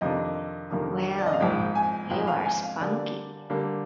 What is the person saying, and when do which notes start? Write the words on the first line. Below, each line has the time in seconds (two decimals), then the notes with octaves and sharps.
Well, you are spunky!
0.01 F2 C3 D#3 A#3 D4 D#5
0.70 F2 C3 D#3 A#3 D4
1.18 D5
1.26 D#5
1.33 F5
1.40 A#1 G#2 F3 G5
1.75 G#5
2.10 A#1 G#2 F3 G5
2.27 F5
2.45 G#5
2.63 F5
2.80 D3 G3 A#3 D5
3.50 D3 G3 A#3